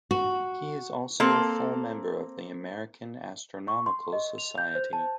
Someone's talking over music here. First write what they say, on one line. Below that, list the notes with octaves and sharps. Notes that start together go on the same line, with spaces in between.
He is also a Full Member of the American Astronomical Society.
F#4
A#3 C4 A4
C#6
C6
D#5
F7
G6
C5
A5